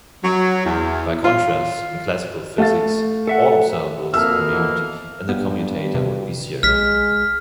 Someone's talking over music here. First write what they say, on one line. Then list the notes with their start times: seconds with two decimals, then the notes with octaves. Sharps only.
By contrast, in classical physics, all observables commute and the commutator would be zero.
0.24 F#3
0.66 E2
1.24 F4
2.58 A3 F5 A6
3.28 A4 E5 F#5
4.14 F2 B2 A#3 A4 E5 F5 D#6 E6
5.29 G2 B3
5.95 C3
6.63 B1 G#3 F6 B6